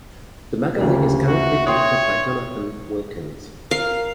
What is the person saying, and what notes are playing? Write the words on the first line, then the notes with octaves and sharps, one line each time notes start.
The magazine is currently edited by Jonathan Wilkins.
D2 C#3 A#3 G4
F#4 E5
C#5 G5 C6 D#6
A#4 F5